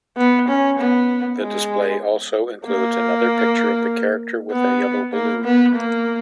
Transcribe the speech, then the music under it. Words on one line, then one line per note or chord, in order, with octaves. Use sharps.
The display also includes another picture of the character with a yellow balloon.
B3
C#4
B3
G#3
A#3
B3
A#3
B3
A#3